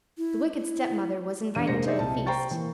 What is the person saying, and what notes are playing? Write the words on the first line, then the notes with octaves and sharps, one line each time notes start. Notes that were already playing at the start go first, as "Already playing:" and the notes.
The wicked stepmother was invited to the feast.
E4
E4
E2 G2 D4 D#7
F1 G#3 A#3 C5 A#6 C#7
D#4 G4 G#4 C5 D5 E5
C2 A5
C5 G5 A#5 C#6 A6
E3 A#3